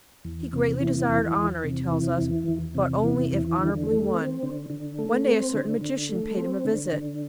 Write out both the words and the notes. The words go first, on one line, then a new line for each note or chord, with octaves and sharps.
He greatly desired honour, he tells us, but only if honourably won. One day a certain magician paid him a visit.
E2
C3
E3
E2
E2
C3
E3
E2
E2
C3
E3
E2
D3
A3
C4
D3
D3
A3
C4
D3
D3
A3
C4
D3
D3